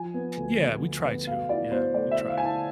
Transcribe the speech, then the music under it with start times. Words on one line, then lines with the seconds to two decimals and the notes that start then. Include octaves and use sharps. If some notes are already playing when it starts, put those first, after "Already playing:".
Yeah, we try to. Yeah, we try.
Already playing: F3 G#5
0.14 B3
0.37 D2
0.60 D2
0.82 D2
1.05 B3
1.27 B2 F5
1.49 E4 D5
1.71 B2 C5
1.94 A3 D5
2.11 E5
2.17 E4
2.28 F5
2.38 E4 G#5
2.45 A5